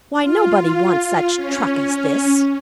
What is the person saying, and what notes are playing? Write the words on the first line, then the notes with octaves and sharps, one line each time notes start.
Why, nobody wants such truck as this.
F4
C#4